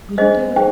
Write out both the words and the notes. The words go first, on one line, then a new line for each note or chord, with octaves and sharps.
We don't do it.
D4 G#4 C5 D#5
D#4 G#4 C5 G5